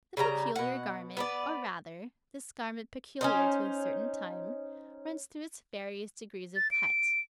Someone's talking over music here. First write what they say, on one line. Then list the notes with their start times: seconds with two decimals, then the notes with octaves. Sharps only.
The peculiar garment, or rather, this garment peculiar to a certain time, runs through its various degrees of cut.
0.17 C#3 G3 A#4 A#5
0.56 B2 F#5
1.17 B3 B4 D5
3.21 C#4 D#4 C5
6.56 A6
6.72 D7